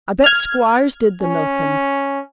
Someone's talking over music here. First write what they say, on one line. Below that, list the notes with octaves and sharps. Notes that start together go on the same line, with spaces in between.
I bet squires did the milkin'.
F6 G#6
C#4